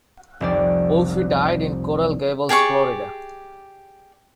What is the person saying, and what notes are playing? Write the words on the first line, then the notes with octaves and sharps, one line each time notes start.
Wolfe died in Coral Gables, Florida.
F1 C2 D5
G4 G#4 D5 C#6